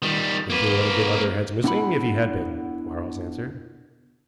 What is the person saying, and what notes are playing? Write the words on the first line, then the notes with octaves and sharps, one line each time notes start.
"I think there would have been other heads missing if he had been," Quarles answered.
D#3 G3
A#3 B4
B3 D4 E4 E5 F#5 B5